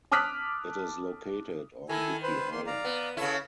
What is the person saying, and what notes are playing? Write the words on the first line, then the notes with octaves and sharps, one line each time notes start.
It is located on Digby Island.
A5 D6 D#6 F6 F#6 B6
D#3 E4 A4 G#5
B4 C5
A#3 C6
D5 F5 A#5
B3
C#3 E4 A4 C#5